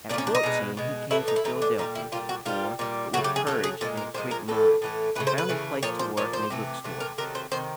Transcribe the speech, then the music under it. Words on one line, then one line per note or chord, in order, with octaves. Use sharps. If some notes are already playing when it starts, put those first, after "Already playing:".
At fourteen he came to Philadelphia, poor, but with courage and a quick mind, and found a place to work in a bookstore.
A#2 F3 A3 D4
C#4
D4
D#4
B2 G#3
B2 G#3
A2 E3 A3 E4
D#4
E4
A2 E3 A3 D#4
D4
A#2 G3 D#4
E4
A#2 G3 F4
F#4
A#2 G3 F4
A#2 G3
C#3 F#3 A3 F#4
G4
G#4
C#3 F#3 A3 A4
G#4
A#2 F3 G#3 A4
A#4
A#2 F3 G#3 C5
A#4
A2 E3 A3 A4
A2 E3 A3
C#3 E3 A3 B4
C5
B4
C#3 E3 A3
A#2 F3 C#5
C5
A#2 F3 C#5
C5
C3 E3 A3
C3 E3 A3
A#4
C3 D#3 F#3 A3 A#4
C5
C3 D#3 C5